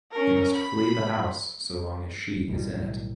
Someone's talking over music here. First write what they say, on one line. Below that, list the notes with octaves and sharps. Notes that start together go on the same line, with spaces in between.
He must flee the house so long as she is in it.
C#4 A#4
B5
B1 A2 D#3 G3